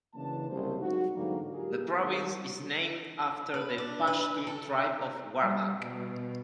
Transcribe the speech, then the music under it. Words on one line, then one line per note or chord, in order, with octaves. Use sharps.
The province is named after the Pashtun tribe of Wardak.
F#1 C#3 E3 A#3 D4 A5
F#1 C2 C#3 C5
G#2 F#3 G#3 D#4 F#4
E2 G#2 D3 F#3 G3 A#3
F4 G4 G#4 A#4
G#1 G#2
B4
D4
B4
A4
G3
B2